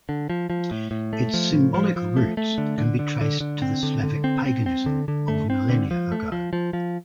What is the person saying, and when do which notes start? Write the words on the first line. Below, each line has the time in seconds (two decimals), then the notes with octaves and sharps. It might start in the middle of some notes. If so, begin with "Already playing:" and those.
Its symbolic roots can be traced to the Slavic paganism of millennia ago.
0.09 D3
0.30 F3
0.50 F3
0.71 A2
0.91 A2
1.13 A3
1.34 F3
1.53 A2
1.74 F3
1.96 F3
2.17 A3
2.37 A3
2.58 D3
2.78 D3
2.99 D3
3.21 D3
3.40 D3
3.62 C4
3.83 D3
4.03 D3
4.24 C4
4.46 C4
4.66 C4
4.86 D3
5.08 D3
5.28 A3
5.50 C4
5.69 D3
5.91 F3
6.12 A3
6.32 F3
6.53 F3
6.73 F3